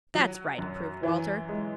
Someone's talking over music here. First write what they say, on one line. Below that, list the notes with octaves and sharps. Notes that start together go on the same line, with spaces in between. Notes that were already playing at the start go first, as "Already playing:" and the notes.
"That's right," approved Walter.
F#3
F#2
E3
G#3